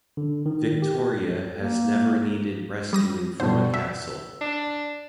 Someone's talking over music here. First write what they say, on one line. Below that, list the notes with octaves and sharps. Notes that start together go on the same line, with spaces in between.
Victoria has never needed rescuing from a castle.
D3
D#3
G4
A#3
G3 D#6 A#6
G2 B2 D3 C5
E5 E6
D4